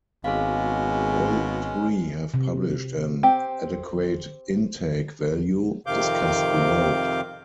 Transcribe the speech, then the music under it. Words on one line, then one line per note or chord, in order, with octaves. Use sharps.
All three have published an "Adequate Intake" value, discussed below.
G#1 B2 G#3 C#4 G#4 F5
C3
C4 G4
F2 C3 D#3 F5 D6 G6